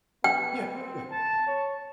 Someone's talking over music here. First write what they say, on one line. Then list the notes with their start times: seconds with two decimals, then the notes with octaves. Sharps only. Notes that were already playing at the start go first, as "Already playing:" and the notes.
Yeah, yeah.
0.24 B3 G5
0.74 C4
1.11 A5
1.47 C#5